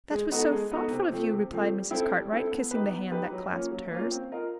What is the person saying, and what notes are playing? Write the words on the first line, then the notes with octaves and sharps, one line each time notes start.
"That was so thoughtful of you!" replied Mrs. Cartwright, kissing the hand that clasped hers.
G#3
B3 D#4 F#4 A4
G#3
B3 D#4 F#4 A4
C3
F3 A3 C4
C3
F3 A3 C4
G3
C4 E4 A4
G3
C4 E4 A4
B3
D#4 G4 B4
B3
D#4 G4 B4
F#3
A#3 C#4 F4
F#3
A#3 C#4 F4
C4
F4 A#4 D#5